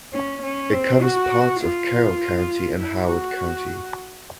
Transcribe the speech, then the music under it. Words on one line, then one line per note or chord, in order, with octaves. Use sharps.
It covers parts of Carroll County and Howard County.
C#4
C#4
C4
F#4
F4
E4
F#4